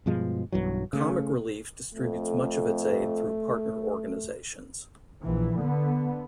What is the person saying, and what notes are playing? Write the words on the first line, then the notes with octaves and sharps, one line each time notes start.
Comic Relief distributes much of its aid through partner organisations.
G2 B2 F3 G#3
B1 G2 E3 F#3
C#3 A3
F2 A3
A#1 E3
D3 B3